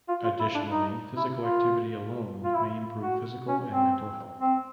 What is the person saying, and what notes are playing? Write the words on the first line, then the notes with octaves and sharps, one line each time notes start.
Additionally, physical activity alone may improve physical and mental health.
F4
F4
E4
D4
D#4
E4
F4
F4
E4
F#4
C#4
C4
C4